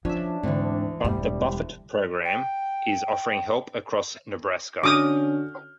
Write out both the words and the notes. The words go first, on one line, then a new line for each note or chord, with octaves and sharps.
But the Buffett program is offering help across Nebraska.
F3 C#4 D4 E4 E5
D2 G#2 E3 C4
E1 G2 G3 A#3
G5
D3 C#4 F#4 D6 D#6 F6 G6